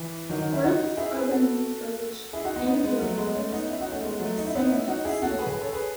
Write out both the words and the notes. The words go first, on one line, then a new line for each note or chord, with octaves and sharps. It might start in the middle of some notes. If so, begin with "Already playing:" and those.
Fruits are the means by which angiosperms disseminate seeds.
Already playing: E3
D#3 F#3
D#3 F#3
C#4 E4
D#4 F#4
E4 G#4
G#4 B4
F#4 A4
E4 G#4
D#4 F#4
B3 D#4
B3 D#4
G#3 B3
F#3 A3
G#3 B3
A3 C#4
B3 D#4
C#4 E4
D#4 F#4
A3 C#4
G#3 B3
F#3 A3
D#4
E4
B3 D#4
C#4 E4
D#4 F#4
E4 G#4
F#4 A4
C#5
G#4 B4
G#4 B4
A4 C#5
G#4 B4